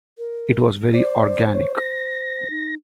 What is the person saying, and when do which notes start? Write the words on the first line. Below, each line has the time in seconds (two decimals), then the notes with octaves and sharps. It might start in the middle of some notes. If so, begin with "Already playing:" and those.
It was very organic.
0.18 A#4
0.94 C5 D5
1.54 C#5
1.77 A#6
2.50 D#4